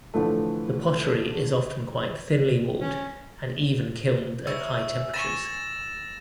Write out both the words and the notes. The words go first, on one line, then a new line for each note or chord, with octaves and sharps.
The pottery is often quite thinly walled and even kilned at high temperatures.
A2 D3 E3 F3 A3
C#4
C#4 E4 E6 F6
G#5 B5 C#6 A6 A#6 E7